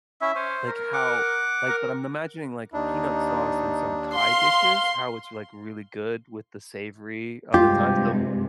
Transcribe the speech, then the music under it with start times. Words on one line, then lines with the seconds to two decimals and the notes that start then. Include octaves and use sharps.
like, how like, but I'm imagining, like, peanut sauce in some Thai dishes? How it's, like, really good with the savory of the Thai, so
0.21 C#4 E4 E5
0.35 C#4 C5
0.68 A#4
0.93 F#5 D6
1.69 A#4
2.74 D#2 D4 D#4
4.15 F5 C6
7.54 G2 C3 G#3 F4 G4